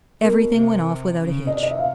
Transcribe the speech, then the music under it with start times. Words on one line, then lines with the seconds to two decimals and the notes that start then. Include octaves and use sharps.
Everything went off without a hitch.
0.21 B2 A#4
0.55 C3
1.21 C#3
1.47 D#5
1.53 C3 D5
1.63 D#5
1.71 E5
1.79 F5